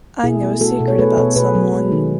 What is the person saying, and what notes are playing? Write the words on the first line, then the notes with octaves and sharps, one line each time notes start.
I know a secret about someone.
B2 E4 G#4
A3
A3 F#4 A4
B2
C#5
A3 G#4 B4
B2 A4 C#5
B2 G#4 B4
F#3
G#3
D#3